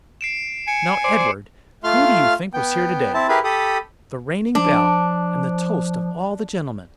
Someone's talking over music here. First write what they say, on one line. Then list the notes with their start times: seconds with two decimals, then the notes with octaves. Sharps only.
"Now, Edward, who do you think was here to-day--the reigning belle, and the toast of all the gentlemen?"
0.21 C7 D7 E7
0.68 G#5 C#7 D7
1.04 C5 D5
1.84 A3 F4 F5 C6 F6
2.53 B3 G5
3.14 C4 E4 A5
3.29 E4 G4 G#4 A#4 B4 B5
3.44 G4 A4 B5 D#6
4.55 F3 D4